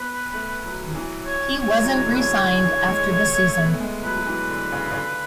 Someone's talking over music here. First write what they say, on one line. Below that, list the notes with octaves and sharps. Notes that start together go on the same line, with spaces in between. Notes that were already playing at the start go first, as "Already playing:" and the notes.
He wasn't re-signed after the season.
Already playing: B3 B4
A3
F#3
F#3
E3
C#5
C#5
G#3
F#3
C#5
E3
D3
B4
C#3 C#5
D3
E3
G#3
A3
A3
A3
B3
A3
G#3
F#3 B4
F#3
E3
D3
C#3
C#3
D3